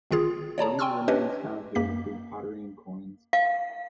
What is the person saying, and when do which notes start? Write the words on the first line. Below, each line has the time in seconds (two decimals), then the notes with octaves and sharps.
Roman remains found here include pottery and coins.
0.11 G1 D#3 F4 G#4
0.58 C#5 D5 A5 A#5
0.79 G5 G#5 C6 C#6 E6 F6
1.08 C#4 D4 G4 B4 C#5 D#5
1.75 F#2 A#3 B6
3.33 F5